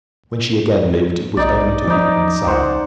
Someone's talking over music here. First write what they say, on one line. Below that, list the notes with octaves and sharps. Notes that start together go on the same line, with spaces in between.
When she again lived, it was only to weep and sigh.
B1 D#4 D5
F3 D#4 D5
C#2 C5 F#5